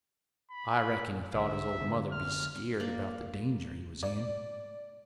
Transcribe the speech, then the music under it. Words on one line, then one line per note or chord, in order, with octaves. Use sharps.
I reckon he thought his old mother'd be skeered about the danger he was in.
B5
A#2
B1 D3 E5
F1 D3 B3
F6
A#3 D5
D5